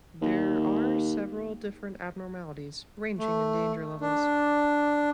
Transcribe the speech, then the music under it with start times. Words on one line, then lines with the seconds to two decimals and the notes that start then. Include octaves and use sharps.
There are several different abnormalities ranging in danger levels.
0.21 D#2
3.18 A3
4.01 D4